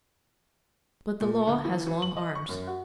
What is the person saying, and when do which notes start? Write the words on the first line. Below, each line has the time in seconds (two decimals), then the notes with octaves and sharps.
But the law has long arms.
1.21 A#2
1.47 D2
1.65 E3
1.87 E3
2.02 F#7
2.17 D#5
2.35 C#6
2.49 F#2
2.67 F#4